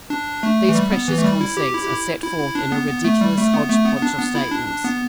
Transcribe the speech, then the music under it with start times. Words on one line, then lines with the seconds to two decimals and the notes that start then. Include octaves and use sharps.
These precious conceits are set forth in a ridiculous hodge-podge of statements.
0.10 D4
0.43 A3
0.69 E3
0.75 G3
0.92 B3
1.08 E3
1.18 A3
1.24 G3
1.41 E4
1.57 G4
1.74 E4
1.83 G4
1.90 E4
2.22 E4
2.39 E4
2.55 D4
2.72 B3
2.88 B3
3.05 A3
3.21 G3
3.37 A3
3.54 B3
3.69 A3
3.86 B3
3.97 B3
4.02 D4
4.19 B3
4.35 E4
4.52 D4
4.67 D4
4.84 B3